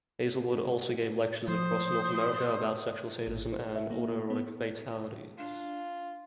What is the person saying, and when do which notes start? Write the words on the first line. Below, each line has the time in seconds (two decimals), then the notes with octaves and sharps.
Hazelwood also gave lectures across North America about sexual sadism and autoerotic fatalities.
1.48 F3 C5 D#6
3.27 G#1
3.52 C5
3.76 E5
3.91 A#3
4.30 B3
5.38 D4 F4